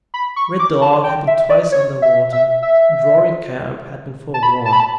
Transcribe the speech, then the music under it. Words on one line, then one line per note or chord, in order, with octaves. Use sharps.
Red Dog had been twice under water, and Roaring Camp had been forewarned.
B5
C#6
D6
A5
G5
E5
D5
C#5
E5
E5
E5
A5
B5
A5
B5
A5